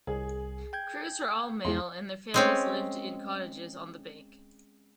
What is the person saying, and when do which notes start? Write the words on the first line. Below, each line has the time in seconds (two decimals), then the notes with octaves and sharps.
Crews were all male and their families lived in cottages on the bank.
0.07 C2 G#4
0.73 G5 G6 G#6
1.65 E2 E3 G#3 C6
2.34 G#3 C4 C#4